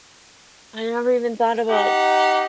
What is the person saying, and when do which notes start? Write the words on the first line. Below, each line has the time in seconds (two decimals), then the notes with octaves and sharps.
I never even thought about
1.69 D#4 G4 F#5